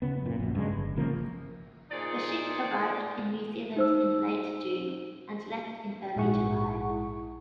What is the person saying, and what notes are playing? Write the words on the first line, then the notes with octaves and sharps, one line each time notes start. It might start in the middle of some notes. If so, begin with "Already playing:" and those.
The ship arrived in New Zealand in late June and left in early July.
B1 C#3 B3
F#2 A#2
A#1 F#2
G2 C#3 E3 G#3
G1
G#1 C#3 F3 A#3
A#2 F3 D#4 G#4 C5 D5
D#4 C5 E6
A#1 G#2 E4 G#4 F#5 C#6